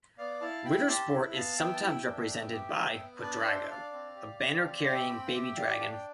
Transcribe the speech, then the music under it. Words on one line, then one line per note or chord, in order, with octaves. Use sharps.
Ritter Sport is sometimes represented by "Quadrago", a banner-carrying baby dragon.
B3 D5 F5
E4 F5 A5
E4 G5 B5
G4 A5 C6
E4
B3 F5 A5
B3 E5 G5
A5
E4 E5 G5
D4
B3
G4
B3
B3
D4 B4 D5
D4 C5 E5
E5
D4 D5 F5
C4
G4
G4
C4
G4 E5 G5
C4 G5 B5
F5
G4 E5 G5
G4 D5 F5
D4 F5
G5